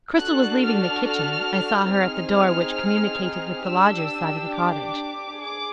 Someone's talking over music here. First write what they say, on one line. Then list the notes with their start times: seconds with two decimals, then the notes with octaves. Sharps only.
Cristel was leaving the kitchen; I saw her at the door which communicated with the Lodger's side of the cottage.
0.16 D4 F#4 A4 F#6
0.61 F6
1.05 F6
1.92 C4 D#4 G#4 F6
3.67 D4 G4 E6
4.55 D6
5.42 G#4 D6